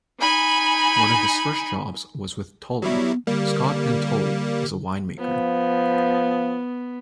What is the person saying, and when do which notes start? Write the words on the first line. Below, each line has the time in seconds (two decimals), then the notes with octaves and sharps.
One of his first jobs was with Tolley, Scott and Tolley as a winemaker.
0.20 D#4 G#5 B5
2.82 F#3 G3 B3 E4
3.27 D3 G3 A#3
5.19 F3 B3